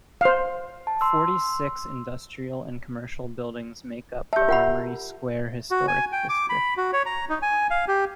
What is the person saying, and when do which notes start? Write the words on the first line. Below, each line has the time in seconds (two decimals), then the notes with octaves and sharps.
Forty-six industrial and commercial buildings make up the Armory Square Historic District.
0.21 C5 F5
0.87 A5
1.01 C6 E6
4.33 G4 E5 A5 G6
4.49 F4 A#4 F#5 B5
5.71 F#4
5.88 G#5
6.12 G5
6.29 D6
6.49 B5
6.77 F#4
6.93 C#5
7.06 A#5
7.29 D#4
7.42 G#5
7.70 F5
7.88 G4